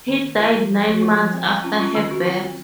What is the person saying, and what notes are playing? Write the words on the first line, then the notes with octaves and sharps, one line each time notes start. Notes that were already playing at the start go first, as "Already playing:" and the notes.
He died nine months after her birth.
D#3
D#3
A#3 F4
F3
F3
F3
F#4
F3 F4
F3
C4
C4
C#4 F4
C#4 F4
D#3 A4
D#3 F#4
C4 F4
C4